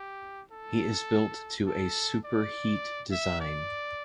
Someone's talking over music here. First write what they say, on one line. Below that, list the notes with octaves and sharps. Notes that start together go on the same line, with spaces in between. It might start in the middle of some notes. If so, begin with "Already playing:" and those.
He is built to a "super-heat" design.
Already playing: G4
A4
A4
D5
E5
D5